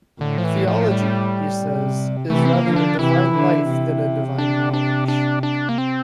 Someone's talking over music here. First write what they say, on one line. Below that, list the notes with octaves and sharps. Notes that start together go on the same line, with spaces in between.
Theology, he says, is rather a divine life than a divine knowledge.
A2 D3
F3
E3
F3
G3
C3
C3 E3 A3
C4
A#3
D3 F3
D4
C3 E3 E4
D3
C3
D4
D4
D4
D4
A#3
C4